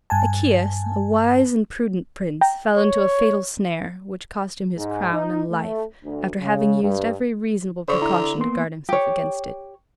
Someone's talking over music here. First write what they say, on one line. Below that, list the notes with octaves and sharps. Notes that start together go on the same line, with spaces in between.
Achaeus, a wise and prudent prince, fell into a fatal snare, which cost him his crown and life, after having used every reasonable precaution to guard himself against it.
G2 G#5 A5
G5 A#5
C#5
G#2
D#4
A3
D2
C#3
G2
D3 C5 D5 C#6
E4 A#5
A#3 B3 C6
G4 C#5